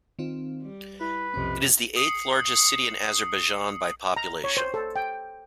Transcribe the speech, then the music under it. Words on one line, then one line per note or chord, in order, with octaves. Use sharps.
It is the eighth largest city in Azerbaijan by population.
D#3 C4 F4
G3
E4 B4
B1 F2 C3 C#4
D#6 C7 C#7 F#7
A#5
C#5
C5
A4
G5